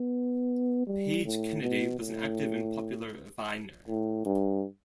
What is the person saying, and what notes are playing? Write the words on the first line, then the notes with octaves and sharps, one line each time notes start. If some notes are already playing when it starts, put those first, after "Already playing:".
Page Kennedy was an active and popular Viner.
Already playing: B3
G3
A2
B2
A2
A2
G2